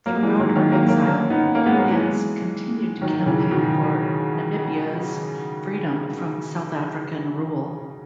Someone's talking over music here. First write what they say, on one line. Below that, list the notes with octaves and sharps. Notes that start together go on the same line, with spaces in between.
Throughout her exile, Bience continued to campaign for Namibia's freedom from South African rule.
F#3 A#3
E3 G#3
D#3 F#3
D#3 F#3
F#3 A#3
F#3 A#3
A#3 C#4
B3 D#4
A#3 C#4
G#3 B3
F#3 A#3
E3 G#3
D#3 F#3
C#3 E3
B2 D#3